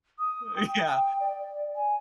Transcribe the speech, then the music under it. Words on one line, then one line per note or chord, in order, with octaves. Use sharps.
Uh, yeah,
D#6
G5
D5
G#5